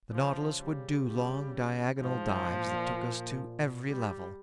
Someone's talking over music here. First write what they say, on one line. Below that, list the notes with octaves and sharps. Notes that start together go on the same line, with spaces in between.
The Nautilus would do long, diagonal dives that took us to every level.
C#3 F3
G3
G3
G#2 F3
A#2
G3